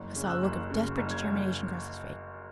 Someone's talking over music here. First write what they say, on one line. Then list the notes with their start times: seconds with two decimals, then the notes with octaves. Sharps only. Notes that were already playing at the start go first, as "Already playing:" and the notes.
I saw a look of desperate determination cross his face.
Already playing: F#1
0.16 C#3
0.24 F#6
0.30 E6
0.43 F#1
0.70 C#3
0.97 F#1
1.11 G#6
1.24 F#1